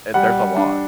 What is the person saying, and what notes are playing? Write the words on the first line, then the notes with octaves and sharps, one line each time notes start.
Eh, there's a lot.
G3 F#5
D4